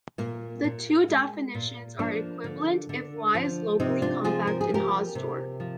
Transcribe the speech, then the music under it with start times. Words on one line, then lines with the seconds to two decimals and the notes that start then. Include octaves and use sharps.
The two definitions are equivalent if Y is locally compact and Hausdorff.
0.18 A#2 A#3
0.64 A#2
1.09 G#3
1.55 A#2
1.99 F3 A#3 D4
2.44 D3
2.89 D3
3.35 F3
3.80 C3 C4 D#4
4.02 D4 F4
4.24 F3 F4 G#4
4.47 A#4
4.61 G#4
4.70 A#3 G4 A#4
5.15 C3
5.60 F3